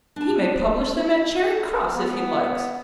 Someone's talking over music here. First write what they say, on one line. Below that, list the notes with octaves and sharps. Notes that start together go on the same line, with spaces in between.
"He may publish them at Charing Cross if he likes."
D4 A5
B3